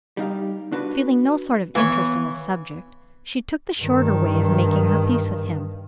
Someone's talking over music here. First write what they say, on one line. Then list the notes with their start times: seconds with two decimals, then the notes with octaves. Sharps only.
Feeling no sort of interest in the subject, she took the shorter way of making her peace with him.
0.17 G3 D#4 F5
0.72 D4 F#4 B4
1.75 E3 B3 C#5 F5
3.81 G2 D#3